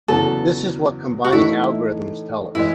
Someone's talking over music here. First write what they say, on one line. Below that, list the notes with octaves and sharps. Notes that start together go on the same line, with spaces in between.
This is what combining algorithms tell us.
E2 C#3 F#3 B3 F#4 A4
F#4
A2 E3 A3 D#4 E4
A2 E3 G#3 E4